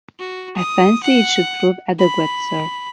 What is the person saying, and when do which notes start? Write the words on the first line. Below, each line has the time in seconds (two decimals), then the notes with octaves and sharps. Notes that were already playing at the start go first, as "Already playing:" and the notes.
I fancy it should prove adequate, sir.
0.19 F#4
0.57 D#6
1.03 F#5
1.99 B5